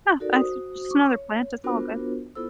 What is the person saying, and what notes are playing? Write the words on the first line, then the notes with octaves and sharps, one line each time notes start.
yeah, that's just another plant, it's all good.
D#4 F#4 A4 A#4 D5
F#4 C5 D#6
C#6 D6
C#5
B3 D4 F4 F#4 A#4 C5
B3 E4 F4 A4 C5 E6